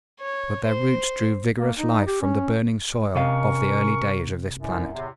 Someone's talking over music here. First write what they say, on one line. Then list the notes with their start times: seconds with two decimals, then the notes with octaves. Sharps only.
But their roots drew vigorous life from the burning soil of the early days of this planet.
0.20 C#5
0.66 C5
1.59 A#3
1.78 D#4
2.07 G4
2.22 C#4
3.15 C3 C#4 A#4 D#5 F5 C#6
4.55 C2 F#2
4.93 E2 A2 C3